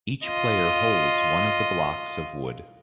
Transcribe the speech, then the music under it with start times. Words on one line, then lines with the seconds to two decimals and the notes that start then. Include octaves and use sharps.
Each player holds one of the blocks of wood.
0.26 F4 D#5